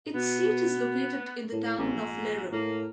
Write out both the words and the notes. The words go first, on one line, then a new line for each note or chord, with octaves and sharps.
Its seat is located in the town of Lerum.
B2 B3
A2
A1 G#2
A#1
A2 A#3